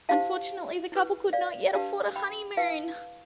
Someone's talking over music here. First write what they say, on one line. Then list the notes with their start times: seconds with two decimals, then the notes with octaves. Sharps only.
Unfortunately, the couple could not yet afford a honey-moon.
0.09 E4 G4 C5 F5 A5
0.92 E4 B4
1.33 D5 F5
1.75 D4 G4 B4 F5 A5
2.16 G5 B5
2.57 E4 B4 F5 A5